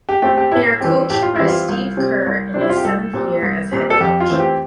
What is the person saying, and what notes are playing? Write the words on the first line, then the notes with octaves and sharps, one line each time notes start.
They are coached by Steve Kerr in his seventh year as head coach.
G4
A3 C4 G4
G4
A2 E4
E3 G3 C4 G4
A2 G4
F4
E3 G3 C4 E4
F4
C2
C3 G3 C4
C2
C3 G3 C4 D4
E4
F4
G4
C2 A4
A#2 G3 C4
C2
A#2 G3 C4
A4
F2 G4
F4
E3 A3 C4
G4